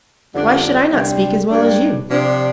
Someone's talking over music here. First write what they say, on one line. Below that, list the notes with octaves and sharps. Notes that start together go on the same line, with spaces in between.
'Why should I not speak as well as you?
F2 D3 G3 D4
C3 G3 D4
G2 G3 D4
C3 F3 D4